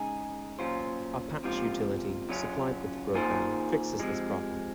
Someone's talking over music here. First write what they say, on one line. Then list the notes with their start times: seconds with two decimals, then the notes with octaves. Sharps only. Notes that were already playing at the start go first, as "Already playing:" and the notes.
A "patch" utility supplied with the program fixes this problem.
Already playing: C#3 G#3 D#4 G#4
0.59 A#2 F#3 C#4 F4 C5
1.44 C#2 C3 F3 A#3 F4
2.29 F#2 C#3 F#3 C#4 F4
3.14 D#3 A#3 F4 G#4 C5
4.00 C3 F3 G#3